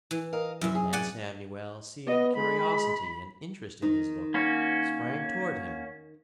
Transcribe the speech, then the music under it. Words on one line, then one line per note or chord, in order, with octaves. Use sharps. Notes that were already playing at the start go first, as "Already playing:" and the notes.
And Samuel, seeing curiosity and interest in his look, sprang toward him.
E3
A#4 D#5 F5
F#2 C3 E3 E5
G#4
D5 F#5 G#5
B3 D#5
G#3 B5
D#3 D#4
A#3 C#4 F#4